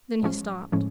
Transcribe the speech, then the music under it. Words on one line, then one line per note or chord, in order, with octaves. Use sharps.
Then he stopped.
A2 F3 G#3 C#4
A2 F3 G#3 C#4